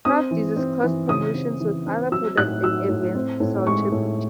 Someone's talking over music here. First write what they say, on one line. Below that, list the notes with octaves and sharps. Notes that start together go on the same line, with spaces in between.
Kraft uses cross-promotions with other products and events to sell Cheese Nips.
C4 D#6
E3
C4
E3
C#3 D#6
C4
E3
C4
F#3 E6
A2 F#6
F#3 E6
A2
C4
A2
G#3 C#6
A2